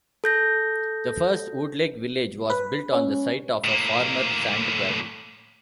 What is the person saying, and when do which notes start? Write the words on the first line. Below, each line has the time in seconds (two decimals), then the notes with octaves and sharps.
The first, "Woodlake Village" was built on the site of a former sand quarry.
0.24 A4 G6 A#6
2.50 B4
2.93 C#4
3.64 A2 A#3